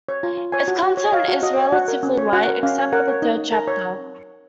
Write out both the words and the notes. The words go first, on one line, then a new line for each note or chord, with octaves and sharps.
Its content is relatively light, except for the third chapter.
C#5
F4
F4
C#5 G#5
F#4
F#4
C#5
D#5
C#5 F5
F#4
F#4 D#5
C#5
F#4 F#5
A#4
C#4
C#5
F#4 F#5
A#4
C#4 F5
C#5
A#4 F#5
C#5
D#4
D#4
A#4 A#5
C#5